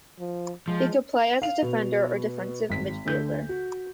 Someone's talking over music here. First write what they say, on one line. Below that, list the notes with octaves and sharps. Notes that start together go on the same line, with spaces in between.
He could play as a defender or defensive midfielder.
F3
F3 G#3
F5 F7
B2
G#1 B6
D2 D3 G6
F#4